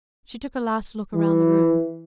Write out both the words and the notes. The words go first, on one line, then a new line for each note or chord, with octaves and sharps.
She took a last look round the room.
E3